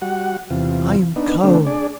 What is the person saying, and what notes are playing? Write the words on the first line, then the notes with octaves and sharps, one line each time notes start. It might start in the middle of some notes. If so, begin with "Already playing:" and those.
"I am cold."
G3 F#4 F#5
E2 C3 F4
B3 D4 D#4
D3 A3 C4 D4
D4 G#4 D5